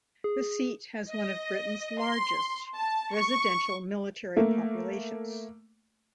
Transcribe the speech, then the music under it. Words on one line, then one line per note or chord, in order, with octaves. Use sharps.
The seat has one of Britain's largest residential military populations.
G#4
D#5
C6
A5
C#6
A3 A#3